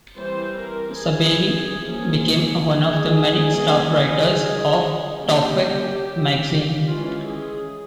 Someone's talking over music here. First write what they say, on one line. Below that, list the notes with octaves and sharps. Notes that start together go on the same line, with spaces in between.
Saberi became one of the many staff writers of "Towfigh" magazine.
E3 G3 C4 C5
A#4
G#4
F3 A#3 C#4
G#4
E3 G3 A#3 C#4
G3 A#3 C#4 G4
E3 G#3 C#4 F4
G#4